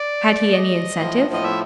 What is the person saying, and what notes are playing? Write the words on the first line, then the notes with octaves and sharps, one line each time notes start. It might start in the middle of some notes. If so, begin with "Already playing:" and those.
Had he any incentive?
Already playing: D5
D#5
A2 F3
D#5
E5